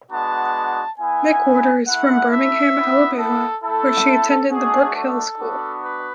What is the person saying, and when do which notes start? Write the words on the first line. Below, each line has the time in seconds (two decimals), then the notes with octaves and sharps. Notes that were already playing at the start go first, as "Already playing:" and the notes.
McWhorter is from Birmingham, Alabama, where she attended the Brooke Hill School.
0.10 G#3 B3 D4 F#4 A5
0.98 B3 E4 G#5
1.86 A3 E4 F#5
2.30 E5
2.75 B3 E4
3.18 A4
3.63 A3 E4 A4
4.51 A3 D4 F#4 G#4
4.95 A4
5.39 B3 D4 F#4
5.83 B4